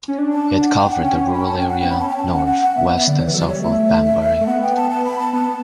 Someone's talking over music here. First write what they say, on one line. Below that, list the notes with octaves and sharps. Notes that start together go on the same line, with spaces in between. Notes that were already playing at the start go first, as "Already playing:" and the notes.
It covered the rural area north, west and south of Banbury.
C#4
D4
A5
F#5
G5
F#5
C#4 G5
G5
B5
A5
G5
F#5
B3 G5
C#4 B5
A5
G5
A5
E5
F#5
F#5
F#5
B3 E5
E5
D3 D5
E3 C#5
B4
F#3 A4
D5
G3 C#5
A3 E5
A3
B3 F#5
G5
A5
A5
B5
A5
B3 A5